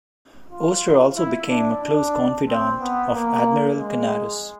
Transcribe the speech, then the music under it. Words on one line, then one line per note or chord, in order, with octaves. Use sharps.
Oster also became a close confidant of Admiral Canaris.
F4
E4
D4
D4
C4
B3
A#3
G#3